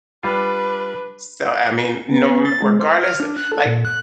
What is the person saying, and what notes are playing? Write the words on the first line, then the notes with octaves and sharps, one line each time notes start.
So, I mean, you kno m regardless, like,
G3 D4 F4 B4
B3
B3
A6
G#3
C5
F6
D4
F#6
A4
A#2
F#6